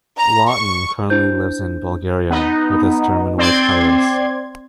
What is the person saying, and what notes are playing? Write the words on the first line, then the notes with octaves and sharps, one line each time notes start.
Lawton currently lives in Bulgaria with his German wife Iris.
A#5
C#6
D4 E4 C5 G6
B3 D#4
C4 D5 C6 G#6